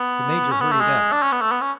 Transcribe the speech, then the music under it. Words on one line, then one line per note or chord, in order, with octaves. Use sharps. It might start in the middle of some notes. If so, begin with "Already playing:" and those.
The major hurried up.
Already playing: B3
C#4
B3
A3
G#3
D4
C#4
B3
A3
B3
C#4